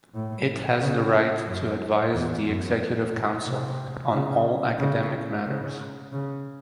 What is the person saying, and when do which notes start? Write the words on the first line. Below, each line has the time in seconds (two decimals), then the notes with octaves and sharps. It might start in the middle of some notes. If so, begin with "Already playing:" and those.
It has the right to advise the Executive Council on all academic matters.
0.14 A2
0.80 C#3
1.46 F#2
2.14 E2
2.47 F#2
3.13 A2
3.46 C3
4.12 C#3
4.79 C#3
5.46 C#3
6.12 C#3